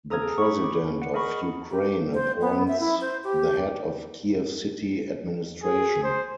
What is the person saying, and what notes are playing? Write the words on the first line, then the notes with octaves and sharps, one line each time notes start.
The President of Ukraine appoints the Head of Kiev City Administration.
A4 A#5 D#6 F6 G#6
G#4
B5 C#6
G#4 D6
F#5
G#4 A#4 D#5 B5 C#6 D#6
G4
C5
B3
E5
E4
C5
G4
G#4
C5